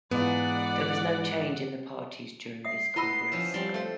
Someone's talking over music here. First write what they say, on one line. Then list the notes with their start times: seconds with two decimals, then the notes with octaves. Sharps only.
There was no change in the parties during this Congress.
0.11 G#2 E3 B3 F4 D5 F#5
2.65 E5 D#6 C7
2.96 B3 E4 D#5 B5 C6 E6
3.32 F3 C#4 E5
3.54 F3 G3 C4
3.74 A3 C5 F5